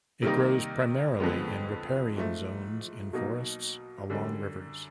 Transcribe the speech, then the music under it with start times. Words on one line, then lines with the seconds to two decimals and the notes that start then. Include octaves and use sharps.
It grows primarily in riparian zones in forests along rivers.
0.22 C3 D#3 G3 A#3 D#4
1.20 F2 D3 F3 G#3 B3
2.16 G#2 F3 A3
3.13 B2 F#3 A#3 D#4
4.10 F#2 D3 G3